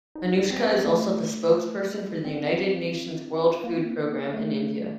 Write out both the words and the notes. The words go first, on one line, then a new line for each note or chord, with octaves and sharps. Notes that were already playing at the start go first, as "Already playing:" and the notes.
Anoushka is also the spokesperson for the United Nations World Food Programme in India.
D#4
C4
C4
A3
C4
A#3
C4
A#3
A3